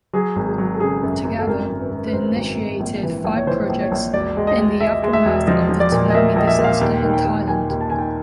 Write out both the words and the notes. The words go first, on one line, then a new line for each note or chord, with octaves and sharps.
Together, they initiated five projects in the aftermath of the tsunami disaster in Thailand.
F#3 G#4
G#1
G#4
F#3
A4
C#3 G#4
F#2
F#2
A4
G#1 A#4
G#1
B4
G#1
B4
G#1 C5
G#1
G#1
A#1
E3
A#1
C#5
E3 C5
A#1
C#5
A#1
E1 D5
G#3
D#5
G#3
G#3 E5
G#3
E5
E1
F3 D#5
F3
D5
A#2
D#5
A#3 E5
A#1 D#5
E5
A#2
F5
D#2 G5
D#3
G5
D#2
D#2 G#5
D#2
A5
D#3 G#5
G5